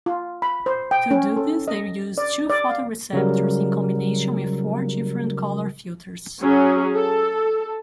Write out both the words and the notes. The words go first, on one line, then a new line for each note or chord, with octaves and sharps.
To do this they use two photoreceptors in combination with four different colour filters.
F4
B5
C5
G5
C#4
A4
D#5
D5
D5
F5
C#3 F#3 G3 A#4
F#3 C#4 G#4
A4